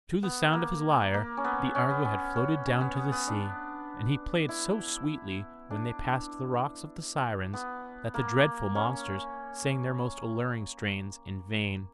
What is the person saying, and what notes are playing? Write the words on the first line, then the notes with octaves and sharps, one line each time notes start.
To the sound of his lyre the Argo had floated down to the sea, and he played so sweetly when they passed the rocks of the Sirens that the dreadful monsters sang their most alluring strains in vain.
B3
A#3
A#3
C#4
B3
C#4
B3
C#4
C#4
C#4
B3
B3
B3
D4
E4
D4
B3
A#3
C#4